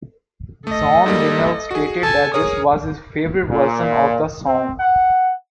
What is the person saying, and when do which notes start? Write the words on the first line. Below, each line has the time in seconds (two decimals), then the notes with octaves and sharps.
John Linnell stated that this was his favourite version of the song.
0.67 A3 A4 D#5
1.06 G#2 G3 A#3
1.71 F#4 G#4
2.03 A4 G#5 A5
2.34 G#4 A#4 C#5 D#6
3.50 A#2
4.45 C4
4.80 F#5